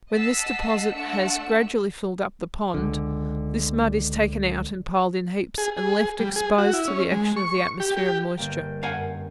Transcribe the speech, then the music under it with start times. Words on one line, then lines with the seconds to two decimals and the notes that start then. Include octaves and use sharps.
When this deposit has gradually filled up the pond, this mud is taken out and piled in heaps, and left exposed to the action of the atmosphere and moisture.
0.14 D#5 F#5 A5 E6 B6 C7
0.93 A3 D4 F#5 E6 C#7
2.74 C#2 D3
5.58 G#4
5.77 G#4
6.19 G3
6.36 G#4
6.58 F#4
6.73 E4
6.88 C#4
7.12 G#3
7.36 C#6
7.80 G4
7.97 G4
8.37 G1 A#3 G5
8.83 F#2 F5 F#5 G#5